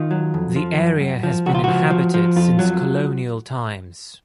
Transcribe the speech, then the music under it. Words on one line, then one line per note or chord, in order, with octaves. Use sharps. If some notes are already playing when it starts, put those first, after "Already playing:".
The area has been inhabited since colonial times.
Already playing: D#3 F4
F#3
F2
F3
F#2
F#2
F3
C#2 F#4
F4
F3 F#4
F3
F3
F2 F4
F#3